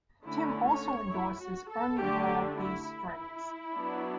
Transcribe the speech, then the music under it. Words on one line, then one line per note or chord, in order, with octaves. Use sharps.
Tim also endorses Ernie Ball bass strings.
D3 A3 C#4 E4
C#5
E4
F#4
A4
D3 A3 D4 G4
E4
E4
F#3 B3 D4